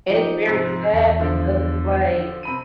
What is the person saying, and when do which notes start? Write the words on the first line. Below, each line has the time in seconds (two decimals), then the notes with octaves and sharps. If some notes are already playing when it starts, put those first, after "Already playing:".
And it's very sad because it's, like
0.10 F3 D#4 G4
0.47 G#2 C3
0.93 E2 A4
1.19 D3 F3
2.43 C3 B5 D#7